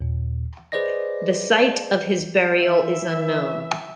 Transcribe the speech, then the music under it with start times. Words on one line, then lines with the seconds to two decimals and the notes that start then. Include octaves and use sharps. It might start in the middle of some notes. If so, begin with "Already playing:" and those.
The site of his burial is unknown.
0.01 D#2 A#2
0.72 G#4 B4 C5 D5 D#5 A#6
2.63 E3 E5